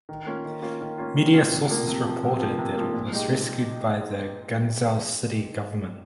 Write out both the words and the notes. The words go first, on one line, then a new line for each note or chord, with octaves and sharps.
Media sources reported that it was rescued by the Guangzhou city government.
D#3
A#3 C#4 F4
D#3
A#3 C#4 F4
D#3
A#3 C#4 F4
D#3
A#3 C#4 F4
C3
F3 A#3
C3
F3 A#3
C3
F3 A#3
C3
F3 A#3
A#2
G#3 D#4 G4
A#2